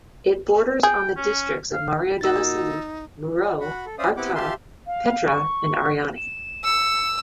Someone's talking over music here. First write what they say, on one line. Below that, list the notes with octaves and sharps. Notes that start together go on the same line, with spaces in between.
It borders on the districts of Maria de la Salut, Muro, Artà, Petra and Ariany.
G#4 G5
C#4
F5
A#2 D#4 F#4 E6 A6
F4 F#4
F#4 F#5 B5
A4
C#4 C5 D5 E5 F5 D#6
B3 C4 E4 G4 F#5 D6
G4 E5 F5 A5 C6
F5
C#6
E7
E6 C#7